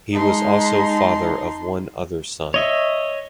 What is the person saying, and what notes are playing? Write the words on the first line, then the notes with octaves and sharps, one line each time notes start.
He was also father of one other son.
G#3 D#4 A5 A#5 C6
C#5 D#5 E5